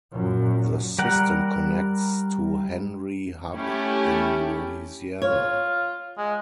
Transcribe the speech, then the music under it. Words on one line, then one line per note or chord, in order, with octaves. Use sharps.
The system connects to Henry Hub in Louisiana.
F#2 A#2
G3 A#4 F#5
A3 C#4 E4 G4
F4 C#5
G#3